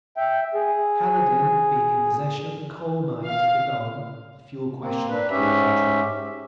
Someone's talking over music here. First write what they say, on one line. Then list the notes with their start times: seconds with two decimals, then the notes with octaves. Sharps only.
Kaledin being in possession of the coal-mines of the Don, the fuel question became urgent.
0.17 E5 G5
0.54 G#4
3.25 F5
4.81 A#3 C4
5.10 D4 B4
5.31 G#2 C#4 G4 E5